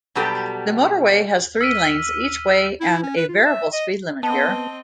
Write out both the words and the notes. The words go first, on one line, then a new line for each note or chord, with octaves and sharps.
The motorway has three lanes each way and a variable speed limit here.
B2 F#3 G3 B3 G4 A4
E6 F6 B6 D#7
E4
C#4
B4
F4
E5
D#5
B3 C4 D#5 A5